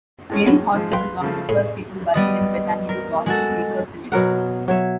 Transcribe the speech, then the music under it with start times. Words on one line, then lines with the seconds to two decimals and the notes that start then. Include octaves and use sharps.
Mary Hauser was one of the first people buried in Bethania's God's Acre cemetery.
0.30 A2 G#3 C#4
0.47 E2 F#3
0.74 G#2 F3 G#3
0.92 B1 B4 F5 G5 C6
1.21 C#3 F3 A3
1.49 A2 G#4
2.14 G3 B3 D#5
2.89 A#4
3.26 G#3 F#4 A4
4.12 B2 F#3 A#4 F#5
4.68 F#3 C#5 E5